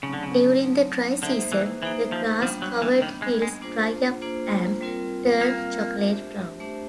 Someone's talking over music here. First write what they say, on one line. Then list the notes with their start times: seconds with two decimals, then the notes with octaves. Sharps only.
During the dry season, the grass-covered hills dry up and turn chocolate brown.
0.03 C#3 F#3 A3 C4 D#4
0.13 D3
0.23 C#3
0.63 F#3 A3 C4 D#4
1.23 D3 A#3 D#4 G#4 C5 E5
1.52 E3
1.82 E3 A#3 D#4 G#4 C5 E5
2.12 F3
2.42 F3 G3 B3 D4
2.62 F#3
2.82 E3
3.02 D#3 G3 B3 D4
3.22 G#3
3.42 G#3
3.62 A#3 D4 F4 G#4 C5
4.22 A#3 D4 F4 G#4 C5
4.81 G3 C4 F4 A#4
5.41 G3 A#3 C4 F4 A#4
6.01 A3 D4 G4 C5 E5
6.60 A3 D4 G4 C5 E5